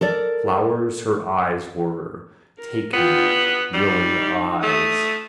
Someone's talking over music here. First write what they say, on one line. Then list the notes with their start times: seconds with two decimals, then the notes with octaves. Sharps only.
Flowers her eyes were, take me, willing eyes.
0.01 A4 A#4 D5
2.58 A#4
2.93 B3 F4 G5
3.32 F#6
3.74 G3 D#4
4.63 A3 D#6